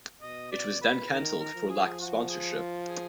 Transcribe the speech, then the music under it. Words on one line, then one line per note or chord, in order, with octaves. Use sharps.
It was then cancelled for lack of sponsorship.
B2 D#5
D5
B4
D#3 A#4
A#4
F3
G#4
F#4
G#4
F4
G#4